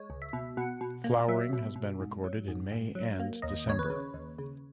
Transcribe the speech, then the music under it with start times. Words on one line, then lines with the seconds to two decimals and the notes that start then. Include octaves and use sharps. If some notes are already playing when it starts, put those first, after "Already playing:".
Flowering has been recorded in May and December.
Already playing: G#3 C#5
0.10 C#2
0.22 E5
0.33 B2
0.57 B2 F#5
0.81 B2
1.04 A#3
1.28 F#3 E5
1.53 B2
1.76 B2
2.00 G#2
2.24 F#3
2.48 G#2
2.72 G#2
2.95 F#3
3.20 A#3
3.42 D#2 D#5
3.67 D#2 C#5
3.79 B4
3.90 C#3
4.14 D#2
4.38 C#3